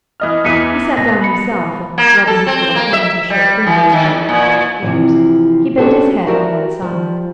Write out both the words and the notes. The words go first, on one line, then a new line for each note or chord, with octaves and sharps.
He sat down himself, and, rubbing his little hands with short fingers covered with white hairs, he bent his head on one side.
E3 D#5 F6
E2 E3 B6 C#7 D#7
B2 A#6
B5 C#7
A#3
A4
C4
A#3
E5
G3
E3
D#3
E2
A#2
C3 E3 F3
C#4 D4 F#4 G4 A4 C5
F#4 G4 A#4 D5 E5
F3 G3